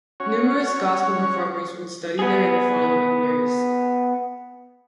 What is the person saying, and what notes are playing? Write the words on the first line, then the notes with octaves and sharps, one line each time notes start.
Numerous gospel performers would study there in the following years.
C#4 F#4 C#5
B3 G#4